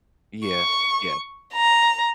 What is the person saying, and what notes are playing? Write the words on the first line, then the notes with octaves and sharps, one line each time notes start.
Yeah, yeah.
C#6
A#5